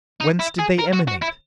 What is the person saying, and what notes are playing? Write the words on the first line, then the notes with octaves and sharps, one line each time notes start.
Whence did they emanate?
D#4
E4
G#4
A#4
F#4
F#4
E4